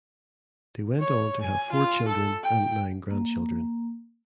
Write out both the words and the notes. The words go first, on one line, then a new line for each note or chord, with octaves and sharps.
They went on to have four children and nine grandchildren.
C#5
G#5
F4
A4
G5
A#3